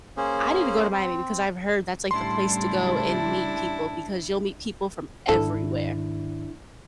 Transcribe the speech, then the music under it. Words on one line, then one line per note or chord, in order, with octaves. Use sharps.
I need to go to Miami because I've heard that's, like, the place to go and meet people because you'll meet people from everywhere.
A#3 C#4 G#4 C5
C4
A2 C#3 G3 D4 E4 A5 C6
G#2 D#3 D4 E4 A4